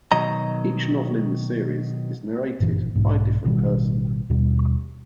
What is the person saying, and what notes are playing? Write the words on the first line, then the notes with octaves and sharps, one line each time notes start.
Each novel in the series is narrated by a different person.
B2 D#3 F#3 D#5 A#5
F#1 G2 A#2 E3
B1 G#2
A1 B2 D#3 G3
D#2 B2 G3